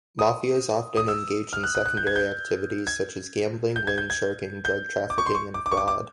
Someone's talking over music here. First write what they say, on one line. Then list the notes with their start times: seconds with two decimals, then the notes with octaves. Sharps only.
Mafias often engage in secondary activities such as gambling, loan sharking, drug-trafficking, and fraud.
0.19 D#6
0.97 D#6
1.08 E6
1.53 F6
1.63 F#6
1.75 F#6
1.86 F#6
1.97 G6
2.07 G#6
2.16 G6
2.87 G#6
3.76 G6
3.87 G#6
3.98 G6
4.10 G#6
4.65 G6
5.10 D6
5.18 C#6
5.26 C6
5.35 C#6
5.54 D6
5.66 D6
5.72 C#6
5.77 D6
5.88 D6